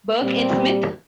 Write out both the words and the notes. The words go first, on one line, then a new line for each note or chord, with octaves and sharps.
Burk and Smith?
A#2 G3 C4